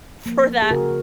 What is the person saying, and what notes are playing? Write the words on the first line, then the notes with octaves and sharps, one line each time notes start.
for that
F3 A#3
G#4
C#3 F#4 A#4